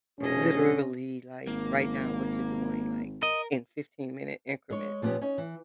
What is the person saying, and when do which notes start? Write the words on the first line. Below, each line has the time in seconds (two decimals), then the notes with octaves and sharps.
literally, like, write down what you're doing, like, in fifteen-minute increments,
0.20 F1 B2 C#4 G#4 D#5
1.47 G#1 A#3
3.23 A#4 D#5
4.70 G#3 C#5
5.02 A#2 F3 B3 C#4 G4
5.21 C#4 D#4 C#5
5.38 E3